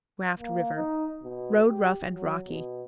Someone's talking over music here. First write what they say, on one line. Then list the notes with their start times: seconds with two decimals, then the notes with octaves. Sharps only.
Raft River.--Road rough and rocky.
0.39 A#3
0.75 D#4
1.23 B2
1.68 G4
2.11 F#3
2.47 B2